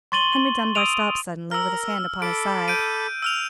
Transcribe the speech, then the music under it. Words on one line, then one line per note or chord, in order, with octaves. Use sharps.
Henry Dunbar stopped suddenly, with his hand upon his side.
C6 C#6 A6 D#7 F#7 G7
D#6 E6 D7 D#7 F7
A#4 A#5 E6 F6
A4 B5 D6 D7
G6 D7 D#7
E6 F6 F7